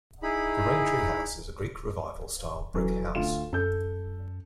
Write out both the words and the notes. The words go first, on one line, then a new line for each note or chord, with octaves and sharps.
The Raintree House is a Greek Revival style brick house.
D#4 E4 G#4 B5
E1 E3 F#3 A4
D2 F4 E7
F#2 A4 G6